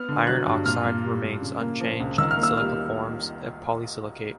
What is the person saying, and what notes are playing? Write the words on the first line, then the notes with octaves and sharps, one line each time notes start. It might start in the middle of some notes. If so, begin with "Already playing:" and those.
Iron oxide remains unchanged and silica forms a polysilicate.
Already playing: B3 F6
D3
F#3 F#6
G2
A#2 F6
A#2
G3
A#2
C#3
A#3
F3
C#2
D#3 E6
F6
A#3
E6
G3 F6